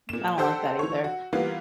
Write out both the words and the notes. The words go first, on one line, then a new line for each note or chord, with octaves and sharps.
I don't like that either.
A#2 E7
G4 A4 C5 F#5 E6 G6
E3 C#5
F#4
E3 G3 A#3 B3 F4